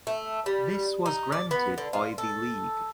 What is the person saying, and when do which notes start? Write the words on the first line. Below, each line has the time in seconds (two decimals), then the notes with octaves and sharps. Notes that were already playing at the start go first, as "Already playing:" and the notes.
This was granted by the league.
0.07 A3
0.46 G3
1.06 D#4
1.32 D5
1.51 B3
1.78 D3
1.93 F4
2.18 A4